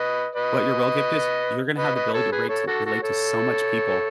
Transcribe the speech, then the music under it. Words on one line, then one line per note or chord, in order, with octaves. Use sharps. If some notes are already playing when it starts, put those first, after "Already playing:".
What your real gift is, you're gonna have the ability to ratel relate to so much people
Already playing: B4 D#5
B4 D#5
B4 D#5
B4 D#5
A4 C#5
G#4 B4
A4 C#5
F#4 A4
F#4 A4
A4 C#5